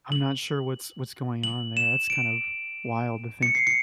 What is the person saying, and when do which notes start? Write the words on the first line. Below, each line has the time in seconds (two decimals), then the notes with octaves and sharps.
I'm not sure what's what's going on there. That's kind of wild to think.
0.12 F#7
1.44 F#7
1.77 E7
2.10 D7
3.43 C#7
3.55 C7
3.67 C#7